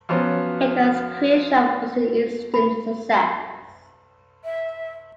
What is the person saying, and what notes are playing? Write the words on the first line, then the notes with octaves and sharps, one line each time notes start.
Egan's creation was an instant success.
F3 F#3 B3 C#4 F#4
B5
E5